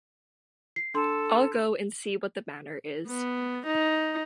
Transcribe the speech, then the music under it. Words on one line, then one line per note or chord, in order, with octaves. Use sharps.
I'll go and see what the matter is.
C7
D4 A4 C6
B3
D#4